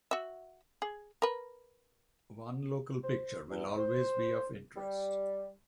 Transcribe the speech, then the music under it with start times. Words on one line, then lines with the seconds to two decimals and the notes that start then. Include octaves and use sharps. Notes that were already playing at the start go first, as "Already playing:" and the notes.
One local picture will always be of interest.
0.11 F#4 E5
0.82 G#4
1.22 A#4 B4
3.02 C5
3.50 E2
3.77 C5
4.76 G3